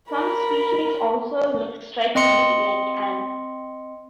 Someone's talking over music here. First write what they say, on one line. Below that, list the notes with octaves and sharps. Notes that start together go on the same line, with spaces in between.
Some species also look strikingly like ants.
A#4 B5
C4 D#5 C6 C#7